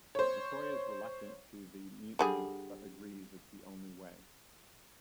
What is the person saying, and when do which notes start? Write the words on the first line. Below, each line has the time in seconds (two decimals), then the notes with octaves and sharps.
McCoy is reluctant to the mutiny, but agrees it's the only way.
0.15 C5 C#5
2.19 D3 G3 G#4